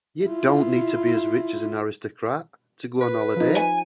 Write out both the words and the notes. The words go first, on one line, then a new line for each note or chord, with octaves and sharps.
You don't need to be as rich as an aristocrat to go on holiday.
E4 F4
B4
F3 D#4
G#5